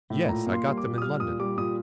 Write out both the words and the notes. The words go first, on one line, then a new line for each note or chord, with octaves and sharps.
"Yes, I got them in London."
A2
A#2 A#5
A#3
C6
G3
D6
A#2
D#6
G3 F6
A#2 D#6
G3 D6
A#2 D#6